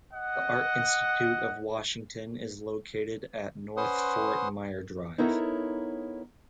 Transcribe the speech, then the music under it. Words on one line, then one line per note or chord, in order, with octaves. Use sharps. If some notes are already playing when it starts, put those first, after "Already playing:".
The Art Institute of Washington is located at North Fort Myer Drive.
D#5 F#5
C#4 B4 C5 F#5 C6 D#6
B3 D#4 E4 A4 A#4 C#5